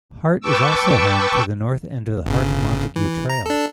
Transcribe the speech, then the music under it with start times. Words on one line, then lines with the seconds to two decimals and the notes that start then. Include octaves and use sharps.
Hart is also home to the north end of the Hart-Montague Trail.
0.41 B4 G5 A5 C#6 D6 E6
2.26 G1 C#3
2.96 E3
3.29 A#5
3.46 D4 A4